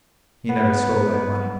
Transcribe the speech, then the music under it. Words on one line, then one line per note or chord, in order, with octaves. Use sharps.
He never stole that money.
B3